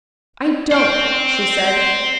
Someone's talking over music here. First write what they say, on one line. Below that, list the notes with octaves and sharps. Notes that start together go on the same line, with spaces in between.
"I don't," she said.
C5 G5